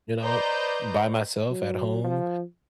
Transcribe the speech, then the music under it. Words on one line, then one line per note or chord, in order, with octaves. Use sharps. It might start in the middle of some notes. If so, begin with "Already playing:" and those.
you know, by myself at home,
B4 C5 D5 D#5 A#5 G6
F#3
F3